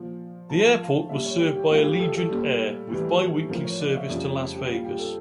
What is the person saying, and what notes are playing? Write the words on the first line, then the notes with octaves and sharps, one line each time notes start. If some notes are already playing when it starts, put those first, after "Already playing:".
The airport was served by Allegiant Air with biweekly service to Las Vegas.
Already playing: A#2 F3
A2 F3 A5
F5
A#2 G3 E5
C#5
G4
G4
A2 G3 F4
G4
A4
A4
A#2 G3
A2 E3 G3
A2 F3 A#4
C#5
D5
E5
F2 C#3 G3 D5
C#5
G4
G4
A#2 G3 F4
G4
A4